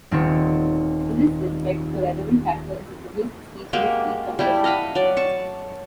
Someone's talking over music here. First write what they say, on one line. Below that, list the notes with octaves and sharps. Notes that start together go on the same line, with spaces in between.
In this respect, a relevant factor is the produced species' feed conversion efficiency.
D#1 D#3 C4 A4 C#5
G#3 A#3 F#4 G4
G3 A3 E4 G4
D#5 F5 F#5 B5
F#3 D5
A5 C#6